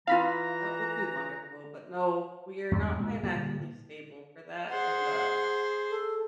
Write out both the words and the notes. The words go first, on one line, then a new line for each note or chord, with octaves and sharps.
That would be wonderful, but no, we are not financially stable for that and, uh,
E3 E4 F4 F5 A#5 B5
E2 G2
D2 A#2 G#3
A#2 D3 F3 G3
G#4 C5 F#5
A4